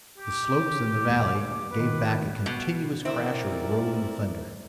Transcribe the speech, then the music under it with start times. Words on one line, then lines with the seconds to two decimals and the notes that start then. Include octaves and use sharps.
The slopes and the valley gave back a continuous crash of rolling thunder.
0.18 G4 D6
1.05 D#2
1.71 A2 D#3 B4
2.46 B2
3.05 C4 E4 A#4 D5